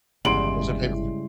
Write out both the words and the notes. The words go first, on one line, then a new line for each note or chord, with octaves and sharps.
Or is it pay-per-view?
G1 E2 C#3 G3 G#3 C6 D7 F#7